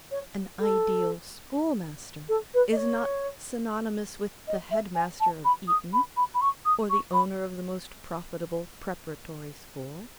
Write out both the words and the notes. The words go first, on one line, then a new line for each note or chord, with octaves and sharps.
An ideal schoolmaster is not synonymous with the Headmaster of Eton or the owner of the most profitable preparatory school.
C#5
A4
A4
B4
D#5
C#5
D#5
E5
G#5
A5
B5
D#6
B5
B5
B5
C#6
D#6
C#6
B5